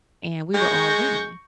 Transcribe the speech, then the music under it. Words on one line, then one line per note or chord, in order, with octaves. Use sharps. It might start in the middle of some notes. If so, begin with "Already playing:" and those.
and we were all women,
G#3 C#6 G6 A#6